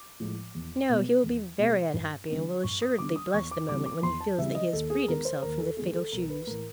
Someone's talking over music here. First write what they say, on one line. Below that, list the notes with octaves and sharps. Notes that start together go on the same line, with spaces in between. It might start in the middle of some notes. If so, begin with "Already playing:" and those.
"No; he will be very unhappy, and will assuredly bless the moment when he feels that he has freed himself from the fatal shoes."
Already playing: D6
A2 F3 G#3
E2
B2 G#3 B3
E2
B2 G#3 B3
G2
D3 G3 B3 D4
G2 C#6
D#6
D3 G3 B3 D4 D6
D#6
E2 C#6
D6
C#3 E3 G3 C4 D6
D6
E2 C6
A5
C#3 E3 G3 C4 E5
D#5
D#2 A4
G#4
D#3 G#3 B3 A#4
C5
D#2 A#4
A4
D#3 G#3 B3 G#4
G#4
A4
B1 A#4
B4
A2 E3 A#4